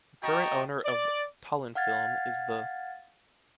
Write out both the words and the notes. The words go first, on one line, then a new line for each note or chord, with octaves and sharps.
The current owner of Tallinnfilm is the...
F#4 D#5 G5 A5 A#5 C#6
D5
F5 F#5 F6 G#6 A6